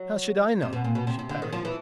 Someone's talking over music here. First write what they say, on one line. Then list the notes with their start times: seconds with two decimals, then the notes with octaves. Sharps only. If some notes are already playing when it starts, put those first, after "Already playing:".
"How should I know?" she parried.
Already playing: F#3
0.62 C3
0.73 B2
0.84 A#2
0.95 B2
1.07 C3
1.19 C3
1.29 D3
1.42 D#3
1.53 F3
1.65 E3